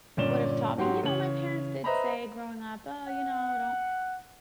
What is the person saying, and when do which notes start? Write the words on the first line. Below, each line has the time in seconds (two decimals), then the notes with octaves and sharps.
would've taught me, you know, my parents did say growing up, "Oh, you know, don't
0.17 G1 A#2 C#4 D5 E7 G7
0.78 G#2 F#3 F#4 G4 C6
1.03 C#3 E3 C#5 F#7
1.84 B4 C5 D#5 E5 A#5 B5
3.07 F#5